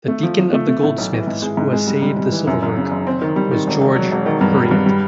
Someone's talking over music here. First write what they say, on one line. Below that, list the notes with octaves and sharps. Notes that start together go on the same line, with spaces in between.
The Deacon of the Goldsmiths who assayed the silver work was George Heriot.
A3
F3
F3
A3
A3
A2
B1
E3
G#2
G#3
G#2
G#3
G3
G3
G3
E3
F#2
F#1
C#3
F#1
C4
D#3
G3
D#3
E1
E1
F#3
E1
D#3
G2
G3
G2
G3